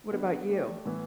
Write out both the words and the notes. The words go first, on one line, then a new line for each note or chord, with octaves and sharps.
What about you?
D3 G3 B3
A3 G4 D5
A2 E3 B3